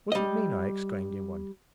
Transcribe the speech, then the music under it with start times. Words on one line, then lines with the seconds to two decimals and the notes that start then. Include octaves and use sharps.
"What do you mean?" I exclaimed, in wonder.
0.12 G3 D#5